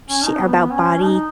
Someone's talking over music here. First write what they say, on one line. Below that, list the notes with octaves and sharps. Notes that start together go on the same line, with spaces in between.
sh about body
C#4
D#4
B3
C#4
D#4